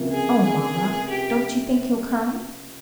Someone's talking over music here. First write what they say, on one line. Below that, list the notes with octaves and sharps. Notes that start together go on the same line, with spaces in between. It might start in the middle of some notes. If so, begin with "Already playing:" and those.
"Oh, mamma, don't you think he'll come?"
Already playing: C#2 C3 F3 A#3
G#4
G#4
G4